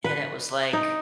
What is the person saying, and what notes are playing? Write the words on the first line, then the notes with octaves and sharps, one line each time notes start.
And it was like,
B4
D#4